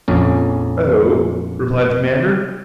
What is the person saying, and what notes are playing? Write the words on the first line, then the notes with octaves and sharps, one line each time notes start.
"Oh?" replied the commander.
A#1 F2 C#4